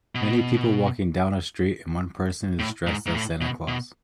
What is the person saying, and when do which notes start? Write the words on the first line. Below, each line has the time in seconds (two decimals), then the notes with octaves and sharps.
Many people walking down a street and one person is dressed as Santa Claus.
0.15 B2
2.59 A2
2.87 G#2
3.06 G#2
3.14 A2
3.41 B2
3.68 B2